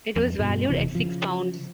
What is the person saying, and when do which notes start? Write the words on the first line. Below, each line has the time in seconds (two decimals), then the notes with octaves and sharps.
It was valued at six pounds.
0.16 F2
0.39 G2 B2
0.69 E1 C3 E3
0.95 C#3 F3